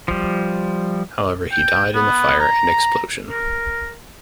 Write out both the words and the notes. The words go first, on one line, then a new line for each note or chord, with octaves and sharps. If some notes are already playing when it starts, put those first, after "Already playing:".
However, he died in the fire and explosion.
F3 G3
G5
B3
A#5
A#4